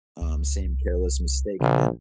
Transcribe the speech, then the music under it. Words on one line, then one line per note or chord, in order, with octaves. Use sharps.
um, same careless mistake again.
C#2
C2
A#1 C#3